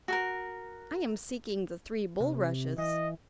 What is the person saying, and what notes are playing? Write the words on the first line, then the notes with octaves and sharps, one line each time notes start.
'I am seeking the three bulrushes.
F#4 A4 A#4
C3
E3 D#5